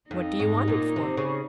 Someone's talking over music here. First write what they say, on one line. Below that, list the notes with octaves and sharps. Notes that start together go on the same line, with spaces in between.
What do you want it for?'
F2 D#4
G#2
A#2
C3
C#3